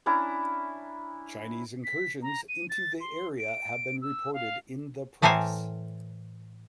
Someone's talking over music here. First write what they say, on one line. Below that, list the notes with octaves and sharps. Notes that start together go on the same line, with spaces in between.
Chinese incursions into the area have been reported in the press.
C#4 D4 E4 A#5
B6
A#5
D#7
A6
C6
D7
E6
F5
A2 E3 A4 A#4 C5 G#5